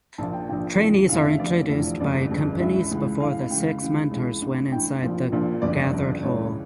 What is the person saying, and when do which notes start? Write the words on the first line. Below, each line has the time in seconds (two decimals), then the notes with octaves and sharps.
Trainees are introduced by companies before the six mentors went inside the gathered hall.
0.18 A#1 A#2 F3 A5
0.33 G5
0.49 A#1 A#2 F3 G5
0.79 F1 F2 C#3 E3
1.09 F1 F2 C#3 E3 F5
1.20 E5
1.39 F1 E2 D3 F3 D5
1.69 F1 E2 D3 F3
2.00 G1 F2 C#3 D5
2.30 G1 F2 C#3
2.60 C#2 C#3 E3 E5
2.91 C#2 C#3 E3
3.20 C#2 C#3 E3 F5
3.50 C#2 C#3 E3 G5
3.81 C#2 C#3 E3
4.11 C#2 C#3 E3
4.41 A1 G2 E3
4.72 A1 G2 E3 G5
5.01 A#1 A#2 F3
5.32 A#1 A#2 F3
5.62 G1 F2 C#3 D5
5.93 G1 F2 C#3
6.23 C#2 C#3 E3 C#5